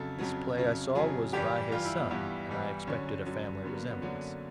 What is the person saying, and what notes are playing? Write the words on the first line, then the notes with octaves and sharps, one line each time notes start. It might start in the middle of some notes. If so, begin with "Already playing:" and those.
This play, I saw, was by his son, and I expected a family resemblance.
Already playing: F2 C#3 F#3 A4
F2 C#3 F#3
F2 C#3 F#3
F2 C#3 F#3 G#4
G2 E3 G3 G4
G2 E3 G3 F4
E4
B3
G2 E3 G3 B3
G2 E3 G3
F#2 D3 F#3 C#4
F#2 D3 F#3
F#2 D3 F#3 B3
A#3
B3
F#2 D3 F#3